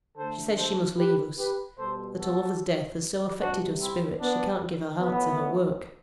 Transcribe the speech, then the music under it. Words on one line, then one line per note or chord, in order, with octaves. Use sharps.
She says she must leave us; that her lover's death has so affected her spirits she can't give her heart to her work.'
D3 A3 A4 C5
A4 C5
G4 B4
G4 B4
B2 G3 A4 C5
F#4 A4
C3 G3 D4 F#4
C4 E4
B3 D4
A2 F#3 A3 B3